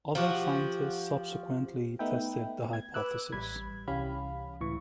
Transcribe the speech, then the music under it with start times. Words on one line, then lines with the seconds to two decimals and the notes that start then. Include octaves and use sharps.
Other scientists subsequently tested the hypothesis.
0.15 F3 F#4 G4
1.99 A3 B3 D#4 B4 E5 G5
2.73 G#6
2.94 B4 D6 E6 F#6
3.32 A1 G3 B5 G#6
3.87 C2 E3 C#4 G4 F5 B5
4.61 C#2 A2 E3 C#6